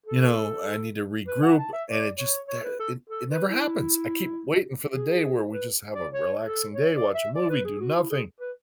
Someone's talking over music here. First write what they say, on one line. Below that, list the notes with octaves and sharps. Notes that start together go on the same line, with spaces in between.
you know, I need to regroup and it just, eh, it it never happens! I keep waiting for the day where we just have a relaxing day, watch a movie, do nothing.
A4
B4
F#5
A5
E5
D5
C#5
C#5
B4
A4
A4
B4
E4
G#4
B4
D5
C#5
A4
C#5
D5
E5
D5
B4
G#4
F#4
E4
G#4
B4